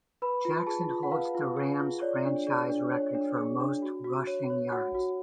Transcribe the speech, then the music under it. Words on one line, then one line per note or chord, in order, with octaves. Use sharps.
Jackson holds the Rams franchise record for most rushing yards.
B4 B5
F4
G#4 A5
F4
F#5
B4 F5
F4
G#4
F4
C#5 D5
D4
G#4 D5
D4
C#5
D4
G#4
D4
F#4
F#4
C#5
C#5
F#4 F#5
F#4